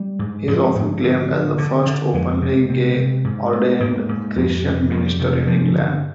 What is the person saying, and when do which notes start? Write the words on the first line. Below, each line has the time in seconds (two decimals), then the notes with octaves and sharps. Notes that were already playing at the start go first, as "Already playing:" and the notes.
He is often claimed as the first openly gay ordained Christian minister in England.
Already playing: G3
0.19 G#2
0.48 G#2 F3
0.75 G#2
1.03 D3
1.31 D3
1.58 D3
1.86 D3
2.13 F2 G#3
2.42 C3
2.70 C3
2.96 C3
3.25 G#2
3.52 G#2
3.80 G#2 A#3
4.09 G#2
4.36 F2
4.63 C3
4.91 F2 G#3
5.06 G3
5.19 C3 D#3
5.33 F3
5.47 G2 F3
5.75 D3